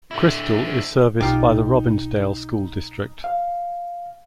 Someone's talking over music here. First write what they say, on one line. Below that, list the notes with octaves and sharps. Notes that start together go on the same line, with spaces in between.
Crystal is serviced by the Robbinsdale School District.
D3 E4
B1 D#4 F4 G4
F5